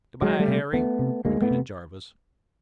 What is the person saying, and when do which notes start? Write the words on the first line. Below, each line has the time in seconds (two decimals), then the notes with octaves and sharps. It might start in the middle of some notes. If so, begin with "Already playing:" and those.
"Good-bye, Harry," repeated Jarvis.
0.22 D2 F#3 G#3
0.39 G3 A3
0.48 C3
0.73 D2 A3 B3
0.99 C3
1.25 D2 G#3 A#3
1.41 A3 B3
1.51 C3